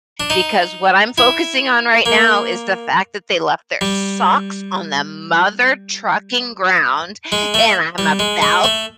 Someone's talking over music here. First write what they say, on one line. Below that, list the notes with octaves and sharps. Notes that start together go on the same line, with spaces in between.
Because what I'm focusing on right now is the fact that they left their socks on the mother trucking ground, and I'm about
D4
D#4
E4
A#3
G3
G#3
A3
G3
G#3
G#3
A3